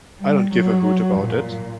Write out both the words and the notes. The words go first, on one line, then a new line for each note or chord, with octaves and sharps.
I don't give a hoot about it.
G3
F#3
A#2